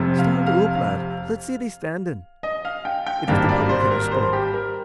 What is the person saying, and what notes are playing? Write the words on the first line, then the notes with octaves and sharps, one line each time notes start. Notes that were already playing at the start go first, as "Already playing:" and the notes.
"Stand oop, lad; let's see thee standin'." It was the publican who spoke.
Already playing: F1 F2 C3
F5
F5
F5
D#5
F5
G5
G5
G#1 G2 D#3 A#3 D4 F5
D5
C5
A#4
C5
G4
A#4